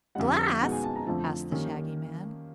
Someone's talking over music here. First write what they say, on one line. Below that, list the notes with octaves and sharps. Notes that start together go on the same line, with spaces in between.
"Glass?" asked the Shaggy Man.
F2 D3 G3 F#5
B2 G#3 B3 D#4 F#5
G#5
A5
A#5
F2 D3 F3 A3 A5
D#3 G3 A#3 C#4